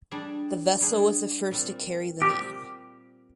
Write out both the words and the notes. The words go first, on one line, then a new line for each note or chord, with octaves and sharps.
The vessel was the first to carry the name.
G3 D4 G#4
G3 D4 G#4
A#2 G3 C4
A#2 G3 C4 G4